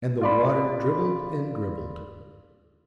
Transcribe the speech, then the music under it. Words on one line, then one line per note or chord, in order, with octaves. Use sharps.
And the water dribbled and dribbled.
F4 D5 B5